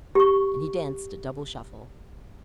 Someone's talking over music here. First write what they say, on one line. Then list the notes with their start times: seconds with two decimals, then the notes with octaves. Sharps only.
And he danced a double shuffle.
0.15 G4 C#6